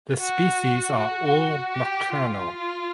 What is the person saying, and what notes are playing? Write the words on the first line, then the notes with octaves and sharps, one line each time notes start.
The species are all nocturnal.
F#4
F#4
G4
F4